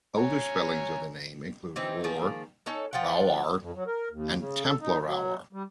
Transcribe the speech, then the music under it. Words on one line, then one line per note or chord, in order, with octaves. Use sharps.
Older spellings of the name include "Roar", "Rowar" and "Tamplerowar".
C#5 G#5 A#5
E3 C4 D#4
D#3 F3 A#3 G#4
C#4 D#4 A4
F3 F4 F#5 G5
F2
F#3
A#4
D#2
C#3
A4
D#4
F#3
G3